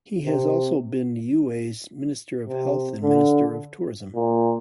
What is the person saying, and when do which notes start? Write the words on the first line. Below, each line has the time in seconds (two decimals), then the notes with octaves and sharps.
He has also been Niue's Minister of Health and Minister of Tourism.
0.25 C3
2.48 C3
3.03 D3
4.14 A#2